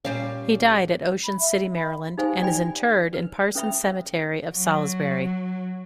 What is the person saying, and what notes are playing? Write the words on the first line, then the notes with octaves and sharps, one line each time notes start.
He died at Ocean City, Maryland, and is interred in Parsons Cemetery of Salisbury.
A#2 G3 C#4 F5
B5
E5
B5
D#4 G4 A4 C5 F5 G#5
D5 G5 G#5 B5
B4
C#4 A4 B4 E5 G5 B5
F#3